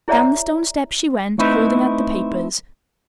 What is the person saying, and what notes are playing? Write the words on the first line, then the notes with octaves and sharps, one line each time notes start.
Down the stone steps she went, holding out the papers.
E4 G#4 C#5 D5 E5 A#5
A3 C4 D#4 E4 F#4 B4